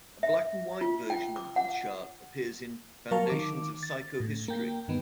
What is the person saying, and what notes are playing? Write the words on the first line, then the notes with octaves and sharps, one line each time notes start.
A black-and-white version of the chart appears in "Foundations of Psychohistory".
E5
F4
G5
D6
F#5
F#3 A#4 F5 A5 C#6
D#3 D6
A6
A2
A#3 G5
G2 D#3 B3